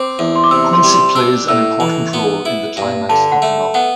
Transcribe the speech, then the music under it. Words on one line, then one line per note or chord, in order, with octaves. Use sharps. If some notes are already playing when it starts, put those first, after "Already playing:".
Quincey plays an important role in the climax of the novel.
Already playing: C4 D6
E2
C6
D6
C3 E6
C6
G3
C6
D4 E6
A2 E6
E3
B3
E4
G2
D3 A5
F#5
A3
B3 F#5